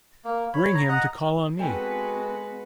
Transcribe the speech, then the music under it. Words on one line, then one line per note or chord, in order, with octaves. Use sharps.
Bring him to call on me.
A#3
C#5 B5
A#5
D#5 F#5 A#5
G#3 B3 C4 F#4 A4 B4 G5 G#5